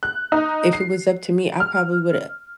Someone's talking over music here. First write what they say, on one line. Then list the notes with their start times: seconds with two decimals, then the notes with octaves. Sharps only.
if it was up to me, I probably woulda
0.03 F#6
0.32 D#4
0.73 C7
1.60 F6